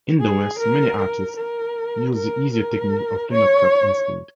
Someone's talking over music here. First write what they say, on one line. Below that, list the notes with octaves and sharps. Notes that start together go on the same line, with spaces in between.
In the West, many artists used the easier technique of linocut instead.
G#4
A#4
A#4
A#4
A#4
A#4
C#5